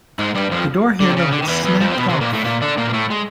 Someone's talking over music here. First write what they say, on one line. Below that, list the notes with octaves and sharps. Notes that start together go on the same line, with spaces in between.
The door handle had snapped off.
G#2 G#3
G2 G3
F2 F3
D3
C3
C#3
D3
D#3
E2 E3
E2 E3
F2 F3
C4
B2 B3
C3 C4
A#2 A#3
A2 A3
A#2 A#3
D3 D4
A#2 A#3
A#3
A2 A3
G#3